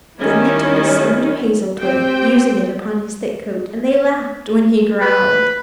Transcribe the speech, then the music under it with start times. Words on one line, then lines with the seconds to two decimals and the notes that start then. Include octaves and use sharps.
Then they took a slender hazel twig, using it upon his thick coat, and they laughed when he growled.
0.19 D#3 G3 C#4 E4
1.78 C4 G4 C5 G5
5.01 B4